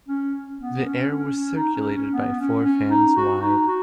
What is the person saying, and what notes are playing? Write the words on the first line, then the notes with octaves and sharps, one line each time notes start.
The air was circulated by four fans wide.
C#4
B3
C#4
C#4
C#4
D#4
C#4
C#4
B3
C#4
C#4
D#4
F#4
D#4
F#4